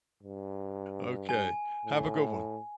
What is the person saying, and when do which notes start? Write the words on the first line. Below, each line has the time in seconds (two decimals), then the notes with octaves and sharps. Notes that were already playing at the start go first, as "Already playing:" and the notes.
Okay. Have a good one.
0.23 G2
1.29 G#5
1.85 A2